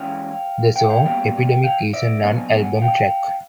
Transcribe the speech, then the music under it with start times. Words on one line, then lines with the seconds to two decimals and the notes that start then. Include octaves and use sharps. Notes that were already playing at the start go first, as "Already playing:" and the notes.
The song "Epidemic" is a non-album track.
Already playing: E3 G#3 C#4 F5 G5
0.76 F5 G5
0.90 F5 G5
1.05 A#2 G3 B3 F5 G5
1.64 F5 G5
1.93 D5 E5
2.23 A#2 F#3 B3 D4 D#5 F5
2.37 G#5
2.56 F#5 G#5
2.81 F5 G5